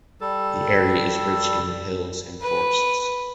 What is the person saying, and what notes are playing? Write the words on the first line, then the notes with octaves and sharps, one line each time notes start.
The area is rich in hills and forests.
G3 A4
B4